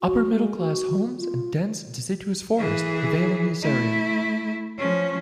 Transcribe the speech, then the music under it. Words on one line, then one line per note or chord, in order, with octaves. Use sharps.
Upper-middle-class homes and dense deciduous forest prevail in this area.
F#4
G#3
F#4
F4
E3 G#4
A3 E4
F3 C#4